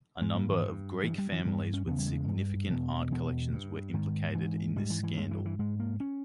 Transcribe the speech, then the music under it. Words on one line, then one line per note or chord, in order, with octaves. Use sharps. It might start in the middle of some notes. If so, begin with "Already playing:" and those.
A number of Greek families with significant art collections were implicated in this scandal.
G#2 G#3
A#3
E3
G2
G2 E3
G3
E3
G2 G3
B3
C#4
E2 C#3 B3
G3
G#3
G2
E2 B2
E2 B2
G2
G#2 D#3
G#2 E3
G#2 G3
E3
E3
G2 G#3
E3
E3
G#2 G#3
A#3
C#4